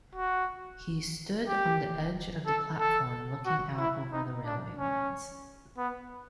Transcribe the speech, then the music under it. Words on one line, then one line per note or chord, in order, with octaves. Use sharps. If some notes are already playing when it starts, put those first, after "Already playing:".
He stood on the edge of the platform, looking out over the railway lines.
F#4
G4
A4
A4
F#4
E4
D#4
D4
C#4
B3